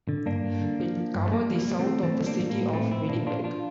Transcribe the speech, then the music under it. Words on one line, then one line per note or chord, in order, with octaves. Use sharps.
It covers the south of the city of Winnipeg.
D3
G2 A#3 D4
G2
D3
F3
F3
G2
A3
G3 A#3
E3
A#3
G3
A3 C4
E3
E3 A3 C4
G3
A#3 D4
A2
A#3
A2
A#2 A3 C4
F3 C4 E4
A#2 A#3 D4
A#2 D4 F4
F3 D4 F4